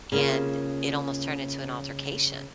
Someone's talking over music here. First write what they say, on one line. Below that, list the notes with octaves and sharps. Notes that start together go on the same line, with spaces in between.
and it almost turned into an altercation
C#3 A#3 F4